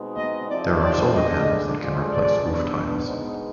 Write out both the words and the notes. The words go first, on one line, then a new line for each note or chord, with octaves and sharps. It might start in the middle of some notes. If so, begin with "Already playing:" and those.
There are solar panels that can replace roof tiles.
Already playing: B2 G#3 C4 D#4
D#5
C3 F3 C4 D#4 D5
D5
D3 G#3 D4 D#5
D3 F3 G#3
D5
B2 B3 D4
B2 G#3 B3 D#4 C5